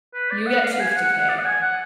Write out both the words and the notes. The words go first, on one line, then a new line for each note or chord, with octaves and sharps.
you get tooth decay
B4
D5
F#5
F5
G#5
G#5
F#5
F#5
D5
F#5
G#5
F#5